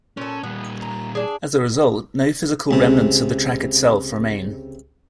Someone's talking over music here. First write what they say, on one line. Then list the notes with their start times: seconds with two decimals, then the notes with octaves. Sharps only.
As a result, no physical remnants of the track itself remain.
0.17 A#2 C#4 A4
0.43 A#2 G3 B3
0.82 A#5
1.15 D4 G#4
2.71 C#2 C3